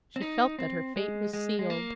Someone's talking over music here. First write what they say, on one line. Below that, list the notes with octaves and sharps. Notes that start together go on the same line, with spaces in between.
She felt that her fate was sealed.
C4
D#4
C4
G#3
G#3
G#3
A#3